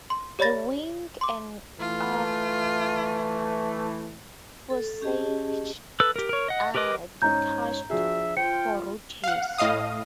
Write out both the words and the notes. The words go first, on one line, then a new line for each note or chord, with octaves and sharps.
The wing and aft fuselage are detached for road use.
C6
G4 C#5 D5 B5 A6 A#6
C6 D6
E3 A3 F4
A4
C#4 G4 G#4 D#5 A5
A4 B4 E6
G4 A#4
A#4 C#5
D#5 F#5
G4 A#4 B4 D#5 D6
G#2 C#4 D#4 C#5 A#5 G6
F3 D4 F#4 G#4 E5
F4 C5 G5 C#7
F5 F#5
A2 D#5 F5 D#6